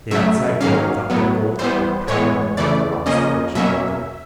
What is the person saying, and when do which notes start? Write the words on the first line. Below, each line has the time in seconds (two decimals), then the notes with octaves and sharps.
The outside world thought that gold could be picked up amid the rocks of British Columbia.
0.11 C#3 F#3 A3 E5
0.61 D#3 F#3 A#3 C#4 F5
1.10 A2 F#3 B3
1.59 E3 G3 B3 C5
2.07 A2 E3 G#3 B3 C#5
2.57 C#3 E3 A3 D5
3.06 C#3 F3 A#3 C#4 D#5
3.55 B2 F#3 A#3 C#4 E5